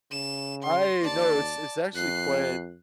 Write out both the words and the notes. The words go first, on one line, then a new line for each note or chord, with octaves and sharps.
I no, it's it's actually quite
C#3 E7
C6
D#2 D5 A5
F2 F#6 C7